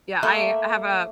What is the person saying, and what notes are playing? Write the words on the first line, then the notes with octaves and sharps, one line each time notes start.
Yeah, I I have a
A3 A#3 E5